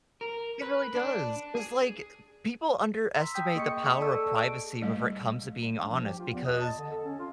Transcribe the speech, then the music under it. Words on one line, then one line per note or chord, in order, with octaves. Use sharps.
It really does, 'cause, like, people underestimate the power of privacy whenever it comes to being honest because
A#4
B4
D4
G#4
A#5 C6 E6 B6
G5 D#6 G6 B6
A#3 G#4 D#5 C#6 D#6 C#7
A4 D5 A5 C#6 E6
G#4 D7
G3 A3 D#5
D4
F3
G4
F4
E2
D#5
A5
D3
A4
C#4
F4